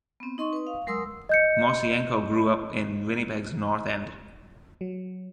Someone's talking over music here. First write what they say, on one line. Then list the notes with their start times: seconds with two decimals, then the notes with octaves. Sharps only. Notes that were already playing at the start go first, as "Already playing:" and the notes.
Mosienko grew up in Winnipeg's north end.
0.20 B3 C4
0.38 D#4 D#5 C6 C#6
0.53 B4 D#6
0.67 F5
0.87 F#3 G#3 A#4 C6 D#6 E6
1.29 D#5 G6 C#7
4.81 F#3